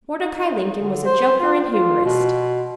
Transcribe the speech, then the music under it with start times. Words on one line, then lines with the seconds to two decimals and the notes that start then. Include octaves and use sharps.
Mordecai Lincoln was a joker and humorist.
0.18 D#4
0.80 D3
1.05 C5
1.40 F4
1.72 F4
2.05 B2